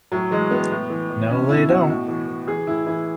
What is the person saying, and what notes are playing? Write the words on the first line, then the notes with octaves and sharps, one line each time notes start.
No, they don't!
A2 F#3
E3 G#3
A2 B3
A2
E3
E3
B2 C#4
B2 E4
B2 F#4
A2
E3
E3
E3 G#4
A2 E4
E3 E4